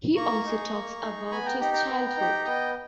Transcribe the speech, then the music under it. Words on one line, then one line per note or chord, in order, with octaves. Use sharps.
He also talks about his childhood.
A#3 A#5 C#6
D#4 G#4
A#3
D#4 G#4
B3 G#5 B5
G5 A#5
D#4 G4 G5 A#5
G5 A#5
B3
D#4 G4
B3 D#5 G5